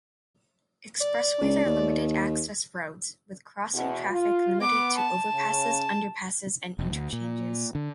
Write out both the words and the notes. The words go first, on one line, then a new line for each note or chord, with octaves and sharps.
Expressways are limited-access roads, with crossing traffic limited to overpasses, underpasses, and interchanges.
D5
C#2
D#2
E2 B2
F4
B3 D6
A5
C#3
E1
D2
A#2
D3